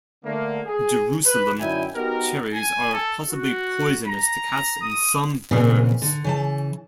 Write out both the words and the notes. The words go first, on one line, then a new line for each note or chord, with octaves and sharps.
Jerusalem cherries are possibly poisonous to cats and some birds.
D3 A3 A#3
G#4
B4
F#2 D3 D#4 E4 G5 G#5
B3 D#4 F#4 G4 A#4
G#5
A4
F#4
A#5
D#6
A#2 C#3 E3 C4
D3
C#3 E3 A5